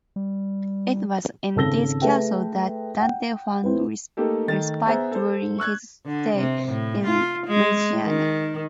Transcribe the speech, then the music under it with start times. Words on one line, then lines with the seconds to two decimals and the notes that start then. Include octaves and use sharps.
It was in these castles that Dante found respite during his stay in Lunigiana.
0.16 G3
1.56 G#1 C#3 A4 E6 A#6 G7
2.02 A3 G#4 A4 B4 E5 G5
3.00 F#5 G5
3.64 C4 E4 B4
4.17 A3 A#3 D#4 G4 A4
4.48 D#3 A3 A6
4.86 B3 G#4 C5 E5 G#5 A#5
5.11 A4 C5
5.58 C#6 E6 F#6 G#6
6.06 D3
6.37 C3
6.67 A2
7.06 F4
7.47 G#3
8.04 D#3